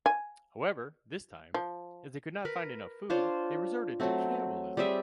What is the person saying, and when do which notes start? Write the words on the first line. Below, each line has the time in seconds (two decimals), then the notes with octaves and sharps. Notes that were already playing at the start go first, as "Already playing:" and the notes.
However, this time, as they could not find enough food, they resorted to cannibalism.
0.06 G#5
1.54 F3
2.45 A#4 B4
3.10 D4 F4 C5 C#5
4.00 F#3 A3 C4
4.77 G3 C4 G#4 E5